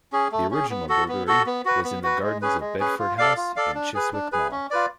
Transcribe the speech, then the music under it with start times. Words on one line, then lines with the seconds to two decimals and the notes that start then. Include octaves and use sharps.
The original brewery was in the gardens of Bedford House in Chiswick Mall.
0.12 C#4 G#4
0.32 A3
0.51 C#4 G#4
0.70 B3
0.89 F#4 A4
1.08 B3
1.27 F#4 A4
1.46 B3
1.65 F#4 B4
1.84 B3
2.03 F#4 B4
2.22 G#3
2.42 C#4 G#4 B4
2.60 G#3
2.79 C#4 G#4 B4
2.99 F4
3.18 A4 D5 F5
3.37 F4
3.56 A4 D5 F5
3.75 D4
3.94 G#4 B4
4.13 D4
4.32 G#4 B4
4.51 C#4
4.71 F4 B4 D5